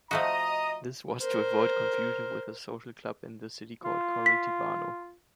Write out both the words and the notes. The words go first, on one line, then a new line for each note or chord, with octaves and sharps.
This was to avoid confusion with a social club in the city called "Coritibano".
F3 A3 F#4 D#5 A#5
A#4 C5
F4
B6